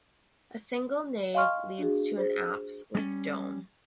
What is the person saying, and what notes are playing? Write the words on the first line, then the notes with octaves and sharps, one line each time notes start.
A single nave leads to an apse with dome.
D#5 F5 G#5 C6 C#6 F6
D4 F#4 G#4
G#4 C5
G3 G#3 C#4